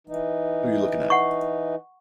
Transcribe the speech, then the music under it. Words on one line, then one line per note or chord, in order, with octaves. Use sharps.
Who You Looking At?
E3 D#4
F#5 C#6